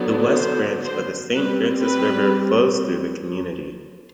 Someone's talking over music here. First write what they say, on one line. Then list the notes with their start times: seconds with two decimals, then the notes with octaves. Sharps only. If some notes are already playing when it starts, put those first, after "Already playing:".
The West Branch of the St. Francis River flows through the community.
Already playing: D3 F#3 B3 D4
0.36 C5
0.84 C5
1.33 G3 C4 B4
1.83 B4